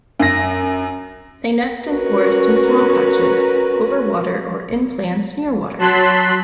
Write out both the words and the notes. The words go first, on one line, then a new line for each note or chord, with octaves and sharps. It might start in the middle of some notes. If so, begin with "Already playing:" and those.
They nest in forest and swamp patches, over water or in plants near water.
F#2 A#6
C#4 F#4 A#4 B4
F#3 A5 C6 F#6 B6